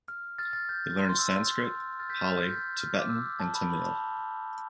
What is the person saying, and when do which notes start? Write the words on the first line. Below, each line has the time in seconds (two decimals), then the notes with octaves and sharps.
He learned Sanskrit, Pali, Tibetan and Tamil.
0.08 F6
0.38 F6 A6
0.53 F6 A6
0.69 G6
0.99 C6
1.09 C6
1.19 E6
1.99 F6 A6
2.09 G6 B6
2.19 F6 A6
2.49 G6
2.80 F6
2.99 D6
3.09 E6
3.40 A5
3.55 B5
3.70 B5
3.85 A5